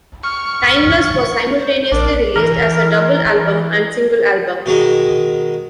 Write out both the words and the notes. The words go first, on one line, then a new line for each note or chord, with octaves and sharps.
"Timeless" was simultaneously released as a double album and single album.
C#6 F6
C5
A#1 D4 A#4
E3 A#4
B2 D#3 G#3